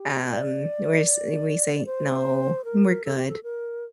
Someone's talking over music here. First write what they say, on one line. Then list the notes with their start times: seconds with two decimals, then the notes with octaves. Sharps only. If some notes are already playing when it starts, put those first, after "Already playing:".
Um, we're sa we say "No, we're good."
Already playing: G4
0.28 D5
1.86 C5
2.65 A#4
3.05 A4
3.16 G4
3.28 A4
3.43 A#4